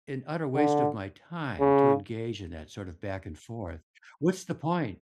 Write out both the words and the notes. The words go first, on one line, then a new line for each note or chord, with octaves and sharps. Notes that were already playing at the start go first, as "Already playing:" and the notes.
an utter waste of my time to engage in that sort of back and forth. What's the point?
D3
C#3